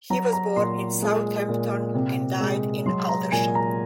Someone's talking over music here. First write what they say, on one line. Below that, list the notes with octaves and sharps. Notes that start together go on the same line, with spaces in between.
He was born in Southampton and died in Aldershot.
F#3 A#5
A#5
A#2 C6
G#3
A#2
C3
G#3
F#3 C6
A#5
A#2 G#5
A#5